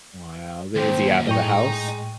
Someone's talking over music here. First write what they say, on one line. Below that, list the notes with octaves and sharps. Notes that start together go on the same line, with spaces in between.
Wow, they is he outta house?
D#2 A#2 C4 C5
A2 G#3 D#5 G5 A#5 C#6